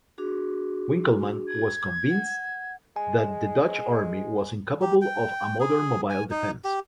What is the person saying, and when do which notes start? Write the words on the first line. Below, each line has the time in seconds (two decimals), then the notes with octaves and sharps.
Winkelman was convinced that the Dutch army was incapable of a modern, 'mobile' defence.
0.18 D4 F#4 G#4
1.48 G#6
2.10 F#5
2.96 G#3 G#5
4.82 G4
5.01 G5
5.60 G#4
6.10 G#5
6.31 D#4
6.64 G4